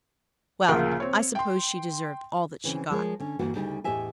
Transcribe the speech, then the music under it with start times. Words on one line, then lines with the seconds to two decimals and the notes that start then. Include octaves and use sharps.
Well, I suppose she deserved all that she got.
0.69 D2 A#2 C#3 F3 A#4 F#5
1.00 C4 C#5
1.35 G5 C6
2.64 C#3 E3 C4 C#4
2.90 F3 G#3 A#4 C#5
3.20 D3 C#4
3.39 D2 G2 E3 A#3 F#4 F#5
3.54 D2 C#3 G3 D#4
3.84 E2 A2 G4 D#5 E5 G#5